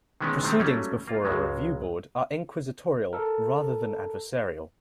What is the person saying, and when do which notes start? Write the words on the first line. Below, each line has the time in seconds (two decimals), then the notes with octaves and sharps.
Proceedings before a Review Board are inquisitorial rather than adversarial.
0.21 D#3 E3 G#3 B3 C#4
0.43 C3 D#3 G#3 A3 C4
0.60 F#3 G3 A3 A#3 C#4
1.08 A#3 F4
1.25 C#2 C#3 F#3 G#3
3.13 A4 A#4